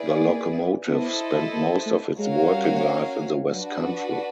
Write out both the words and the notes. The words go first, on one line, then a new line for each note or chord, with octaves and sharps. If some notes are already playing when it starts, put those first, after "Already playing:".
The locomotive spent most of its working life in the West Country.
Already playing: E4 G#4 B4 D5
A#3
B3 E4 A4 C5 D#5
A#3
A3
G#3 C#4 F#4 A#4 C#5 F5
G3
F#3 D4 F#4 B4
F3